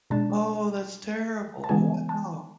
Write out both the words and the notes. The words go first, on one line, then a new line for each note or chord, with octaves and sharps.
Oh, that's terrible. Wow.
B2 G#3 D4 A5
A5
C#3 E3 G#3 B3 G#5
A5